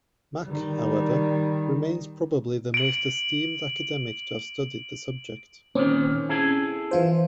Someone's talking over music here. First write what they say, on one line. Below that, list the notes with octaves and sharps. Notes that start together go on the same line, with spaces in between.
Mack, however, remains probably the most esteemed academic to have studied the subject.
D#3 G3
D7 F#7
A#2 D#3 C4 C#4
E4 G#4 A4
E3 F4 C5